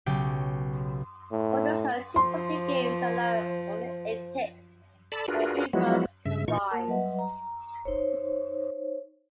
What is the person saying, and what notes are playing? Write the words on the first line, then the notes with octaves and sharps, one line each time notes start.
Walters hurled two complete games, allowing only eight hits and three runs combined.
B1 C#3 C#4 G4 G5
A2
F3 C5 C6
A4 D5 A5 B5
D4 F4 F#4 G#4 A#4 B4
F3 F#3 G#3 B3 E4 F#4
G2 C#3 E5
A#2 E3 D#4 F4 C#6
A#3 A#4 A5
F#3 G3 B4 D#5 E5 F#5
A#5
D#4 C5 C#5